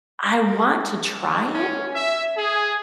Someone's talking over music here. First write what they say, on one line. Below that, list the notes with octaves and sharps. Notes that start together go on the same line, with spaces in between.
I want to try it,
C#4
E5
G#4